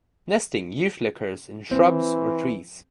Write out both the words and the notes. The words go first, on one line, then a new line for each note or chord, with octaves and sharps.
Nesting usually occurs in shrubs or trees.
E3 C4